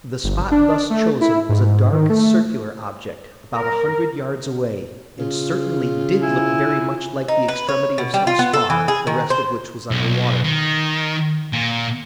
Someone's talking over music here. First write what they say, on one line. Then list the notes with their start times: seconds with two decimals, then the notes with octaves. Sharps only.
The spot thus chosen was a dark, circular object, about a hundred yards away, and certainly did look very much like the extremity of some spar, the rest of which was under water.
0.24 G1
0.51 D4
0.90 A3
1.21 E4
1.49 G#2
1.92 D#3
2.10 A3
3.55 A#4
5.18 C#3 F4
6.22 E4 G#5
7.28 D#4
7.48 B4
7.69 C#5
7.98 B2
8.14 G3
8.27 F4
8.39 B3
8.53 A4
8.70 E3
8.88 G#4
9.07 D#3
9.30 C5
9.91 B1
10.44 D#3
11.53 A#2